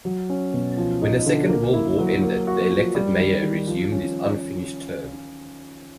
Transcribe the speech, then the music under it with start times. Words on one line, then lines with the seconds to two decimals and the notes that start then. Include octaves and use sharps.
When the Second World War ended the elected mayor resumed his unfinished term.
0.05 F#3
0.30 C#4
0.54 B2
0.77 F3
1.02 D#4
1.26 D3
1.50 A#3
1.74 E4
1.98 F#3
2.22 A#3
2.47 F#4
2.71 F3
2.95 G3
3.20 D#3
3.43 D#3
3.67 F3
3.92 C#4